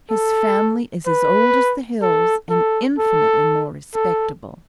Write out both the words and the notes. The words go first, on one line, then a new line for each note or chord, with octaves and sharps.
His family is as old as the hills, and infinitely more respectable.
A4
B4
A4
A4
A4
A4